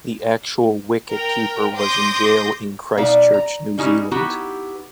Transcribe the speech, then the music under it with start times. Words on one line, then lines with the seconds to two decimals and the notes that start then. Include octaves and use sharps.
The actual wicket-keeper was in Jail in Christchurch, New Zealand.
1.11 A#4 G5
1.75 C6 D6 D#6 G6 A#6
2.97 B2 D#4 D5 E5 F5
3.34 A#5
3.78 G3 C#4 D#4 E4 F#4
4.11 B3 D#4 E4 F#4 G4